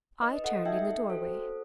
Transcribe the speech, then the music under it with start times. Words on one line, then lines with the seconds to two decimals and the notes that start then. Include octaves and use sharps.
I turned in the doorway.
0.21 D#4 B4 D#5
0.44 A4 D#5 F#5
0.65 D#4 E5 G5
0.87 A4
1.09 F#4 A4 C5
1.32 C4